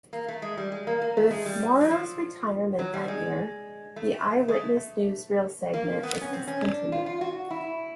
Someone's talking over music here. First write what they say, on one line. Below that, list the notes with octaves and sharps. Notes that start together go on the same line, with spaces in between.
With Marrou's retirement that year, the "Eyewitness Newsreel" segment was discontinued.
A#3
A3
G#3
G3
G#3
A#3
A#3
A3
G#3
G3
F#3
F3
F#3
G3
G#3
A3
G#3
A3
A#3
B3
C#4
C4
C#4
D4
F4
F4
F#4
E4